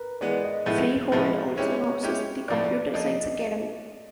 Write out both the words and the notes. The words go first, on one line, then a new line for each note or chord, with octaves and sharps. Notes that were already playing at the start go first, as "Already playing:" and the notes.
Freehold also houses the Computer Science Academy.
Already playing: A#4 B4
E3 G#3 B3 D5
D#5
A2 F3 G#3 B3 E4
A2 F3 G#3 B3 E4
G#3 C#4 E4 G4 C#5
G#3 C#4 E4 G4
A2 F3 A#3 D5
F3 A#3 D#5